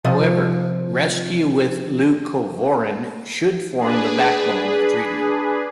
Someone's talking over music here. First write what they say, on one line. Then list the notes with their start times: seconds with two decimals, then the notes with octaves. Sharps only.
However, rescue with leucovorin should form the backbone of treatment.
0.04 C3 F3 D#5
3.77 D4 G#4 B4